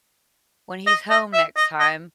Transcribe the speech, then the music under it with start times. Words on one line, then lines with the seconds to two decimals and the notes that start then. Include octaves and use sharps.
when he's home next time.
0.87 D#5
1.10 D#5
1.33 E5
1.57 D#5
1.80 D#5